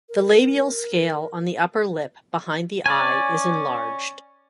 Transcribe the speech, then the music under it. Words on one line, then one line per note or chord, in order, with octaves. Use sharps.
The labial scale on the upper lip behind the eye is enlarged.
A#4
C#4 D5 G#5